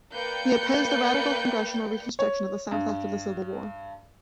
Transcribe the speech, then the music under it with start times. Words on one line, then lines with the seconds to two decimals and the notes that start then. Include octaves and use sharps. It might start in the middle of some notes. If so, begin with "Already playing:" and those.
He opposed the radical congressional Reconstruction of the South after the Civil War.
0.12 A#3 B4 D5 G5 G6 C#7
2.19 C#5
2.71 G2